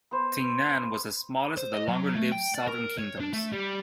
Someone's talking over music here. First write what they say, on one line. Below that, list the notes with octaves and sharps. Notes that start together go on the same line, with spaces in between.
Jingnan was the smallest of the longer-lived southern kingdoms.
B3 C5
C5
D#5
F#3
A3
G5
D5
A#4
C#5
D4
A3
G3